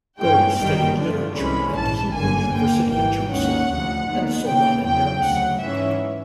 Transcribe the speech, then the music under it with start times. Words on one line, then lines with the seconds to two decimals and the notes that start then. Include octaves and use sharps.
Gouri studied literature at the Hebrew University of Jerusalem and the Sorbonne in Paris.
0.19 G2 E3 G#3 C#4 G5
0.58 G1 F#2 D#3 G3 A#3 G5
0.97 G2 D3 F3 A3 D4
1.36 C2 C3 E3 G#3 C#4 B5
1.75 A#1 G#2 E3 A5
2.13 G1 F#2 D3 G3 A#3 G#5
2.52 D#2 D3 G3 A#3 G5
2.91 G#1 G#2 E3 G3 G5
3.29 D#2 D#3 G#3 C#4 F#5
3.68 D2 C3 F3
4.07 D#2 D#3 G#3 B3
4.45 D#2 C#3 E3 G5
4.84 E2 C#3 F#3 G5
5.23 D2 C#3 F#3 F#5
5.61 G#2 E3 G#3 C#4 E5